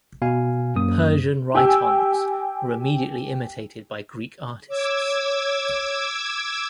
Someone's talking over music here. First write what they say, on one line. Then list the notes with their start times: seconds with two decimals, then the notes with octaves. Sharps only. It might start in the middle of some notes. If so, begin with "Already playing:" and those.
Persian rhytons were immediately imitated by Greek artists.
0.22 B2 F5 G#5
0.75 F#2 A#3 D#6
1.55 G4 G5 G#5 E6
4.68 C#5 D6 E6 G#6